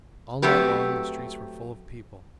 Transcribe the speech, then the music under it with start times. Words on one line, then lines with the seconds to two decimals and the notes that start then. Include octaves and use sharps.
All night long the streets were full of people.
0.42 F#3 A3 C4 G4 B4